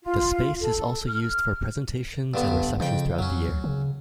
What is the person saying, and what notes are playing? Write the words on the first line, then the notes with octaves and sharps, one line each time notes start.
The space is also used for presentations and receptions throughout the year.
F4
A4
F6
G2 D3 B3
F2 C#3 G5
F2 F#3 C#4
D2
C#3